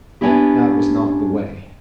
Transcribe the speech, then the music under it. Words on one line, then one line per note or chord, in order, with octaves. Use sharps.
That was not the way.
B3 C#4 D4 E4 G4